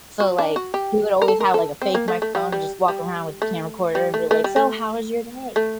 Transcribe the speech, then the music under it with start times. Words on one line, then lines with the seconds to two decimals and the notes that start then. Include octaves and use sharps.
So, like, he would always have, like, a fake microphone and just walk around with the camcorder and be like, "So how was your day?"
0.20 F#4
0.39 D4
0.56 F#4
0.74 G4
1.22 A#4
1.28 A4
1.40 A#4
1.54 A4
1.82 C4
1.95 A#3
2.08 A3
2.22 A3
2.35 G3
2.52 G3
2.88 G3
3.42 A3
3.95 G3
4.14 A3
4.31 A3
4.44 G3
4.56 A3
5.56 A3